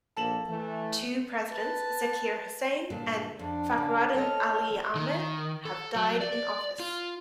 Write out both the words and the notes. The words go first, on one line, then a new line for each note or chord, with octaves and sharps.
Two presidents, Zakir Husain and Fakhruddin Ali Ahmed, have died in office.
A#1 A#3 A4 E7 F#7
E3 A3
B4 A5
G2 A#2 D3
F2 D4
C#3
A4 C#5 D#5 F6
D#3
A4
F#3
D5
F4